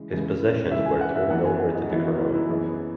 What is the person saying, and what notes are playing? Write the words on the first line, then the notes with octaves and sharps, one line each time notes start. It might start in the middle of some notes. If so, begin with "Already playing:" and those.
His possessions were turned over to the crown.
Already playing: C#3 E3 G#3
E2 C#3 E3 G#3
E2 C#3 E3 G#3 E5
G#5
F#5
E5
F#2 E3 B3 E4 F#5
G#5
F#5
D#5
F#2 E3 B3 E4 C#5
F#4
D#4
E4
E4
F#2 E3 B3 E4 G#4
G#4